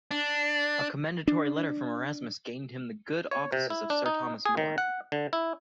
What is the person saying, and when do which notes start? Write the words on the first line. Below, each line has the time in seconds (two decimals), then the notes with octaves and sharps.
A commendatory letter from Erasmus gained him the good offices of Sir Thomas More.
0.11 D4
1.28 D4
3.31 C#5
3.52 C3
3.70 E4
3.90 D4
4.06 D#4
4.45 G#4
4.57 D#3
4.78 F#5
5.12 D3
5.33 E4